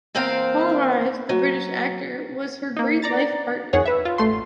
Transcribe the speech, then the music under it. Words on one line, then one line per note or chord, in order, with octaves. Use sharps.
Paul Rhys, the British actor was her great life partner.
E2 A#3 C4 C5 F5 G5
F#3
A#3 D#4
D5 A#5 A6
F2 D#3 G#4 C#5 F#5
B4 E5
F4
A1 A3 C6